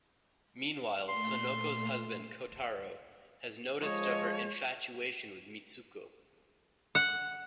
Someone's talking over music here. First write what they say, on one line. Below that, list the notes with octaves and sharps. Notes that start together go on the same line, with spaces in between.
Meanwhile, Sonoko's husband Kotaro has taken notice of her infatuation with Mitsuko.
A#2 A3 C6
F3 G#3 C#5 D#5
F#5